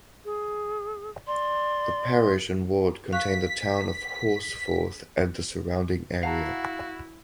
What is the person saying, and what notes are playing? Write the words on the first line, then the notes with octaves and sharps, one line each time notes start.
The parish and ward contain the town of Horsforth and the surrounding area.
G#4
D5 C6
F5 C#6 F#6 B6
E4 F#4 F5 F#5 A5 A#5